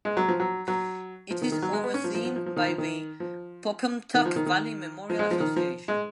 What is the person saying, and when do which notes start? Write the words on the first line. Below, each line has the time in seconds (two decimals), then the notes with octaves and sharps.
It is overseen by the Pocumtuck Valley Memorial Association.
0.05 G#3
0.17 F#3
0.28 F3
0.40 F#3
0.68 F#3
1.31 F3
1.42 D#3
1.52 D#3
1.62 F#3
1.73 G#3
1.84 B3
1.94 C#4
2.04 F3
2.15 F3
2.25 F3
2.36 F3
2.46 F3
2.56 D#3
2.68 F3
2.78 D#3
3.20 F3
4.14 D#3
4.26 F3
4.36 D#3
4.46 D#3
5.10 F3
5.19 G#3
5.31 F3
5.40 D#3
5.56 F3
5.88 G#3